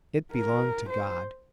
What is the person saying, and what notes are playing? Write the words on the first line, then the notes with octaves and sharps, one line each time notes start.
It belonged to God.
A#4
C5